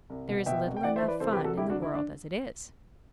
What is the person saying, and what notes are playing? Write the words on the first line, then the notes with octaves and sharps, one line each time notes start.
There is little enough fun in the world as it is.
C2
B2
B2 E5 G5
C2
G5
E3 D5 F#5
C5 E5
E3
B4 D5
C2 A4 C5
G4 B4
C2
F#4 A4
D2 E4 G4
D4 F#4
D3
E4
D4